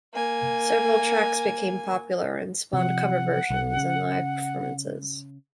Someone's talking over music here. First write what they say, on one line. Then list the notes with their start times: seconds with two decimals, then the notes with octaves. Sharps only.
Several tracks became popular and spawned cover versions and live performances.
0.14 A#3 G#5
2.73 C3 F3 F#5
3.50 B1
3.77 C#3